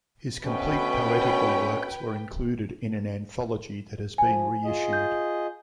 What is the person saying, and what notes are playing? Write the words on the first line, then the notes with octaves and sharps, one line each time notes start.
His complete poetical works were included in an anthology that has been reissued.
D2 B2 C#4 B4 G5
F3 G#5
F4 G#4 D#5
G6